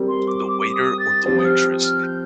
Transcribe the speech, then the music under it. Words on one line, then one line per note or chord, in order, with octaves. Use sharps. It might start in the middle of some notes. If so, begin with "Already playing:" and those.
the waiter or the waitress
Already playing: G3 C4 G4 A#4
C6
D6
D6
D6
D#6
A6
F3 C4 G4 C5 A6
D#6
F6
F6
G6